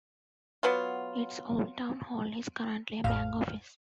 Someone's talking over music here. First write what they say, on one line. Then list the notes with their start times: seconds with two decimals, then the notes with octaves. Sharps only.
Its old town hall is currently a bank office.
0.63 F#3 B3 F4
3.04 A1 F2 A2 F5 F6